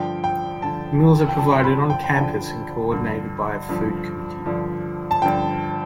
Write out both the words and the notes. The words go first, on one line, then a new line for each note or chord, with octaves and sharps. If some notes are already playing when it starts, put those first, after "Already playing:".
Meals are provided on campus and coordinated by a food committee.
Already playing: G2 D3 F3 G5
G5
G2 D3 F3 A5
G5
G2 D3 F3 A5
C6
B5
G5
G5
G2 D3 F3 A5
G2 D3 F3
G2 D3 F3
G2 D3 F3
A5
G2 D3 F3 G5